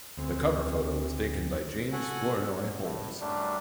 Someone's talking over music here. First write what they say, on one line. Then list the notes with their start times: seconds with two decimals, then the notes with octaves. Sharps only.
The cover photo was taken by James Flournoy Holmes.
0.17 D2 C4
1.92 F#4 A4 F#5 G#5
2.84 A2
3.21 F#2 G3 A3 D4